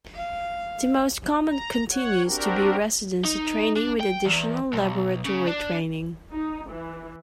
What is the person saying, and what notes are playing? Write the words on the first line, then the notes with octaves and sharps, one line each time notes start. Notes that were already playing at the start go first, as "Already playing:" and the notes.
The most common continues to be residency training with additional laboratory training.
F5
A#5
C#5 F#5
C4 D4 F#4 G4 A#4
D#4
D4
G5
E2
B1
C#3
D4
D#4
E3